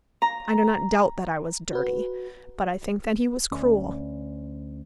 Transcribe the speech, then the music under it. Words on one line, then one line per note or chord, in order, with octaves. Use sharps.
I do not doubt that I was dirty;--but I think that he was cruel.
A#5
F#4 B4
D2 C#4